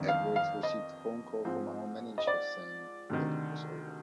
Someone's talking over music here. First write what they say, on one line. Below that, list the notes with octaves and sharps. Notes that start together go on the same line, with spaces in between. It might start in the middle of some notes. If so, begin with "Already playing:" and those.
Edwards received a phone call from our manager saying that it was over.
Already playing: G1 F2 D#3
F5
F5
D#5
G#2 F3 C4
D#5
D5
D2 C3 D#3